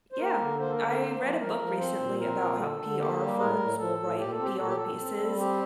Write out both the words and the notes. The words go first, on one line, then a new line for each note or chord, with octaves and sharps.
Yeah. I read a book recently about how PR firms will write PR pieces
C5
A#3 A#4
D3
A#3 C5
A4
A#4
D3
A#4
A#3 C5
F3
F3 A#4
F3
C4 C5
A#2
C4 A#4
A#2
D3 A4
D3
A#3 G4
G3
A2 A#4
A2
A2 A4
A2
A#2 G4
A4
C4
G4
A#2 A4
G4
A#2 A4
C4
G3
C4 G4